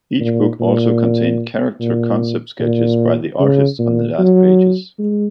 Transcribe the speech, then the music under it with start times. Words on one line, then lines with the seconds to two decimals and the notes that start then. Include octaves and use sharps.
Each book also contained character concept sketches by the artists on the last pages.
0.20 A#2
0.60 A#2
1.80 A#2
2.60 A#2
3.39 C#3
3.79 A#2
4.19 F#3
4.99 G#3